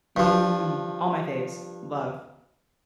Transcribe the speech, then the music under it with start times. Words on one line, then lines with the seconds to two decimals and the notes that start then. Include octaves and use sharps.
Mm, all my faves. Love.
0.17 G2 F3